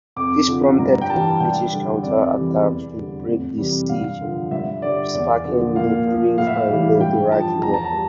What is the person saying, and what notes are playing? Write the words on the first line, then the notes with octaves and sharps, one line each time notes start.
This prompted a British counter-attack to break the siege, sparking the brief Anglo-Iraqi War.
F2 D6
D3 F3
G2 A#5
G5
E3 G3 A5
G2 G5
D3 G3
F2 D5
E3 G3
E2
D3 G3
F2
C3 E3 G3
G2 F5
D3 F3
G2 E5
D3 G3 D5
E2 D5
D3 F3
A#2 F5
F3
A2 F5
E5
F5
E3 G3
G2 G5
F3 A5
E2 A#5
A5
A#5
G3